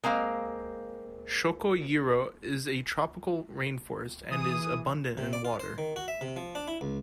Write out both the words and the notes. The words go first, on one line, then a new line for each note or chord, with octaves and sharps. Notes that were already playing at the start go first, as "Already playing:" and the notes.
Chocoyero is a tropical rainforest and is abundant in water.
G#3 A#3 C4 F5
E3 G#4 D#6
C3
D5
F4
C5
D#3
F#4
E5
C3
F3
D4
E4
C#2